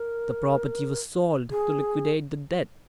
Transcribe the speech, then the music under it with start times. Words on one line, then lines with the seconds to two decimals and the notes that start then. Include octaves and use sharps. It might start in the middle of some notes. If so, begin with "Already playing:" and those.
The property was sold to liquidate the debt.
Already playing: A#4
1.51 G#4